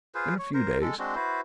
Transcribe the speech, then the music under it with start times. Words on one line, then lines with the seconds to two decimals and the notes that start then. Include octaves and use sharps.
In a few days.
0.15 F4 G#4 B4 C5
0.39 C#5
0.54 A#4 C5
0.81 G#3 A4
0.99 G#3 C4 D4 F#4
1.15 E4 F#4 B4 C5